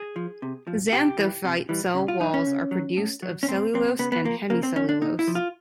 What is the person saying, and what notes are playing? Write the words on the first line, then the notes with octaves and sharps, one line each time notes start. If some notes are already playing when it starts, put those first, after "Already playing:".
Xanthophyte cell walls are produced of cellulose and hemicellulose.
Already playing: G#4
F3
C3
F3
C3 G4
E3 G3
C3
E3 G3
C#3
F4
F#3 D#4
C#4
C#3
F#3
A2
F#3
C#4
A2 C4
F#3 C4
C#3 B3
B3
F3 A#3
C#3 A#3
C4
F3 C#4
D4
A#2 D#4
E4
F3
F4